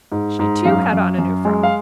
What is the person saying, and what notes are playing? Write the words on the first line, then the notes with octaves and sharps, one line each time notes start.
She, too, had on a new frock.
G#2
G#2
F#2 F5
F#2
F#2
G#3
F5